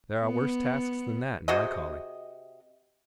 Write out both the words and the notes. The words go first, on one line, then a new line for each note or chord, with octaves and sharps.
There are worse tasks than that, in my calling.'
B3
C3 F#4 G#4 D#5